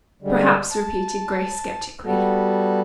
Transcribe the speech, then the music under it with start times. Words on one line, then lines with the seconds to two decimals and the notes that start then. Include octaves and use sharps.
"Perhaps," repeated Grace sceptically.
0.22 D3 G3 G#3
0.71 A5
2.06 G3 B3 F#4 A4